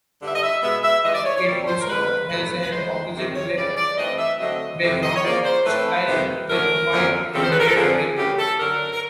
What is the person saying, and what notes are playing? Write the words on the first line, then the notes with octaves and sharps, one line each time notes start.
It also has an opposite black background style with white and red trim.
G2 D3 G3
E5
D#5
E5
B2 G#3 B3 E5
E5
G2 E3 G#3 D#5
D5
C#5
C#5
A#2 G3 C4 D5
C5
A#4
F2 D3 G3 B4
B2 F#3 A3 B4
B4
A2 F3 G#3 C5
E2 C3 D#3
C#5
C#3 E3 G3 D5
D5
G2 E3 A3 C4 D#5
E5
D3 F#3 A3 C4 D#5
F2 C3 E3
D#5
C#5
C#3 F3 A#3 D5
C5
A2 E3 A3 C4 B4
F2 C3 D#3
D3 F#3 A3 C#4 A#4
F2 D3 F3 A#3 C#4
E2 C#3 F3 G#3 C4 A4
C5
B4
A#4
A4
F2 D3 F3 A3 C4 G#4
F#2 C#3 E3 A3 G4
A4
F#2 D3 F#3 A#4
A#4